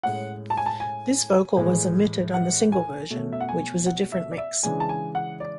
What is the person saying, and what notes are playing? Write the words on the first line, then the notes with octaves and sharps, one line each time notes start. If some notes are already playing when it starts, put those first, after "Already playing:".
This vocal was omitted on the single version, which was a different mix.
A2 G#3 C#4 F#5
A5
G#5
A5
G#5
A2 E3 G#3
F#5
G#5
B2 A3 C#4
E5
F#5
G#5
F#5
E5
D5
E5
C#3 E3 G#3 D4 G#5
A5
G#5
F#5
D5